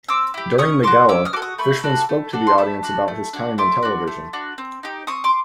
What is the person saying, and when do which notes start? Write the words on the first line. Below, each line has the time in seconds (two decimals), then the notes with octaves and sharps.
During the gala, Fishman spoke to the audience about his time in television.
0.08 C4 D6 E6
0.34 E4 G4
0.58 C#4 C#6 D#6
0.83 F#4 A4 C6 D6
1.09 C#4 D6 E6
1.25 D#6 F6
1.33 F#4 D6
1.36 A4
1.42 C#6 D#6
1.58 A3 B5 C#6
1.83 D4 F#4 A4
2.09 A3
2.33 D4 F#4 A4
2.47 C6
2.58 A3 A5 B5
2.83 D4 F#4
3.08 A3
3.33 D4 F#4
3.58 A3 C6 D6
3.83 D4 F#4
4.08 A3
4.33 D4 F#4
4.58 C4
4.83 D#4 G4
5.07 C4 C#6 D#6
5.24 C6 D6